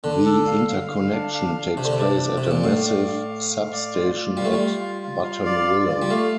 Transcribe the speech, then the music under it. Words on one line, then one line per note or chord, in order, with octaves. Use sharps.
The interconnection takes place at a massive substation at Buttonwillow.
D3 D4
A4
F5
F5
F5
D4
F5
D4
C3 D4
D3
C3
D5
D4
C3 D5
A#2
A2 F5
D5
F5
F5
F5
D5
F4
F4
G3 F5
A3
G3
F4
F4
F4
F5
D5
F4
F4
G3
A3 F5